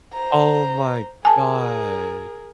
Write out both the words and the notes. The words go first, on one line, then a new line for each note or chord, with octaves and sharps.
Oh my god!
C5 A#5
G#4 A#4 G#5 A5